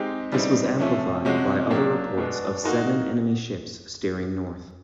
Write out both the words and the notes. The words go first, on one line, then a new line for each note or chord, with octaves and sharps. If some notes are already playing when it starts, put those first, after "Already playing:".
This was amplified by other reports of seven enemy ships steering north.
Already playing: G#3 C4 D#4 G4
C#3 E3 G3 C4 D#4
C3 F3 A3 C#4
C3 F3 G#3 C#4 F#4
F#3 A#3 D4 G4
B2 G#3 B3 D4
A#3 D#4 F#4 A#4